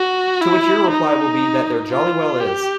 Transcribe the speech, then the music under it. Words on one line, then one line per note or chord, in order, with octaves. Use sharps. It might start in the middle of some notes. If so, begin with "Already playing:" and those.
To which your reply will be that there jolly well is.
Already playing: F#4
E4
D#4
F4
G4